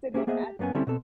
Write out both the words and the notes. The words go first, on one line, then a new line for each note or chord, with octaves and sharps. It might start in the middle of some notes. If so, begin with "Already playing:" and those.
sitting at
A#3 C#4 D#4 G4 G#4 E5
A#3 B3 G#4 C5 D#5 E5
G4
F#2 A#3 B3 C#4 G#5
D3 G3 C4 C#4 E4 A4
B2 C4 A4